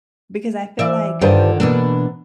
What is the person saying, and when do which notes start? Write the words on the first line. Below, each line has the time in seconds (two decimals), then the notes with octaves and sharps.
because I feel like
0.79 E3 D5 E5
1.21 G2 D3 D#3 F4 C5 D5
1.60 B2 E3 A#3 B3 D4